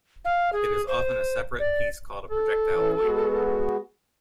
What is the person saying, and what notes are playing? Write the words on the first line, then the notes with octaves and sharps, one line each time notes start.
It is often a separate piece called a projectile point.
F5
G#4
C5
D5
A4
E3 C#4
G#3 B3 F#4